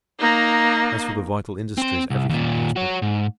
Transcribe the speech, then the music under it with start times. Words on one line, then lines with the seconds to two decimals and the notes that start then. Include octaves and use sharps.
As for the vital industries, everything prospered.
0.19 A#3 D#4
1.78 C4 C6
2.10 C2
2.29 D#2 A#2
2.76 F#4 C#5
3.02 G#2